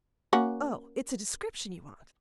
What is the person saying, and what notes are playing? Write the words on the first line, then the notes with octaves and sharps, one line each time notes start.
"Oh, it's a description you want?"
A#3 C#4 F#4